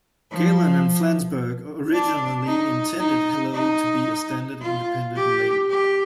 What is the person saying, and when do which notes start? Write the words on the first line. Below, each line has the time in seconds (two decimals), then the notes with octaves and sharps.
Galen and Flansburgh originally intended Hello to be a standard independent label.
0.31 F3
1.92 D4
2.46 D#4
2.99 D#4
3.53 D#4
4.61 F4
5.15 G4
5.69 G4